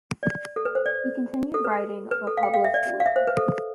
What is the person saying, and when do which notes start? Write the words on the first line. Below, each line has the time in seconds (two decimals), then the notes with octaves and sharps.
He continued writing but published little.
0.23 D5
0.56 A4
0.65 B4
0.75 C5
0.86 D5
1.54 A4
1.64 B4
2.11 B4
2.27 A4
2.37 F5
2.43 G5
2.54 F5
2.64 E5
2.74 D5
3.00 F5
3.06 E5
3.16 C5
3.27 B4
3.37 A4